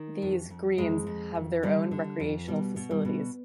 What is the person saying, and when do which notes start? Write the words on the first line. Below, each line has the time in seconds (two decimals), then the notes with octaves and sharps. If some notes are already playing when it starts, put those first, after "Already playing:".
These "Greens" have their own recreational facilities.
Already playing: D#3
0.22 F2
0.50 F2
0.78 F2 G#3
1.07 F2
1.35 F2
1.63 D3 G3
1.91 D3
2.20 F2
2.48 B2 G3
2.76 B2
2.91 G3
3.05 B2